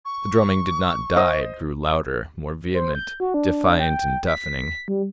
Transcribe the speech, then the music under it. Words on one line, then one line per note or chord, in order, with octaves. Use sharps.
The drumming did not die; it grew louder, more vehement; defiant and deafening.
C#6
C5 D#5 D#6
C5
G6
F#4
D4
G5
B6
G3